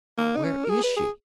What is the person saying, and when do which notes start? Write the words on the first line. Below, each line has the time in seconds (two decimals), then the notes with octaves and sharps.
"Where is she?"
0.18 A#3
0.36 D#4
0.44 C#4
0.65 A#4
0.69 G#4
0.83 B4
0.97 G#4